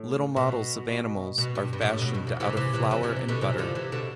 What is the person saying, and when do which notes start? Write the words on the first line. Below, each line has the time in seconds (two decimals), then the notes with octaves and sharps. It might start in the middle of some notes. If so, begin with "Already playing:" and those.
Little models of animals are fashioned out of flour and butter.
Already playing: A2
0.36 B2
1.38 B2
1.55 G2
1.73 G2
1.81 B2
1.89 A2
2.02 B2
2.15 G2
2.27 F2
2.40 C3 E3
2.57 C3 E3
2.73 C3 E3
2.91 C3 E3
3.03 C3 E3
3.16 C3
3.29 B2 D3
3.41 C3 E3
3.58 D3 F3
3.75 C3 E3
3.92 B2 D3